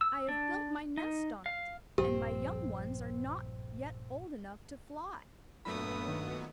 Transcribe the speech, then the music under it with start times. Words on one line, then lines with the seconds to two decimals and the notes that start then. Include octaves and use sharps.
I have built my nest on it, and my young ones are not yet old enough to fly.'
0.01 E6
0.29 D4
0.97 D#4
1.46 F5
1.98 A#1 G2 F3 C4 G4
5.65 G2 A#2 F#3 A3 B3 B5 D#6
6.08 D#3